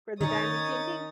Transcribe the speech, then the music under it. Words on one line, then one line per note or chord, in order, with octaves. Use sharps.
for the diamond painting?
D#3 C#4 D#4 C#5 D#6 A6